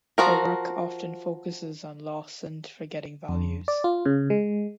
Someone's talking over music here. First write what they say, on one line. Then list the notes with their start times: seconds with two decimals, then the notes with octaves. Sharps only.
Her work often focuses on loss and forgetting values.
0.18 F3 F#4 A#4
3.29 F2
3.68 D5
3.84 F4
4.06 C#3
4.30 G#3